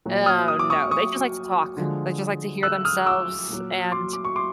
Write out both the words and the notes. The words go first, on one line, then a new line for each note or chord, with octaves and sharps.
Oh, no, they just like to talk. They just like to hear themselves. And
A#2 F#3
D#6 F6
D#6
D6
C#6 D#6
C#6 D#6
D3 F3 G#3
E6 F#6
D#6 F6
D6 E6
A#2 F#3
C6 D6
D6
C#6
C6 D6